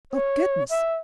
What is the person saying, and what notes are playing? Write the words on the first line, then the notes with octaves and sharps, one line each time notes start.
Oh, goodness!
C#5
E5